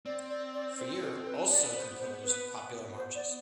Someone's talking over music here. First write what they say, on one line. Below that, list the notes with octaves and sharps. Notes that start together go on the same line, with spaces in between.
Freire also composed popular marches.
C4 D5
D5
D5
C5
A4
B4
B3 D5
C5
C5
B4
C5
D5